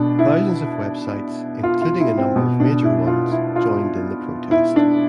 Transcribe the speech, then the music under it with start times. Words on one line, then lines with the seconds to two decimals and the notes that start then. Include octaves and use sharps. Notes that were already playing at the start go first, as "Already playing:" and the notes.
Thousands of websites, including a number of major ones, joined in the protest.
Already playing: B2 D4
0.19 E4
1.63 F4
1.82 F4
2.00 E4
2.18 C4
2.36 B2
2.60 D4
2.84 E4
3.07 F4
3.32 E4
3.56 F4
4.51 E4
4.76 D4